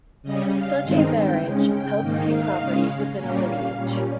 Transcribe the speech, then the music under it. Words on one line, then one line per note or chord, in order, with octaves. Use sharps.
Such a marriage helps keep property within a lineage.
C#3 G3 C#4 D#5
F5
G2 D#3 G#3 C4 D#4
G5
C#3 G#3 C#4
G5
G#2 D#3 A#3 D#4
F5
C#3 G#3 C#4
A#2 G3 A#3 C#4
F5
A#2 G3 C#4